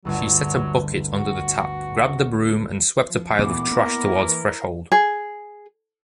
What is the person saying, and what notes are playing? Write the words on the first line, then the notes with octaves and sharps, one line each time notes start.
She set a bucket under the tap, grabbed the broom, and swept a pile of trash toward threshold.
G1 D2 F#3
F#4
F3
D2 A#2 E3 B3 D6
A#3 E4 A#4
E3
G#4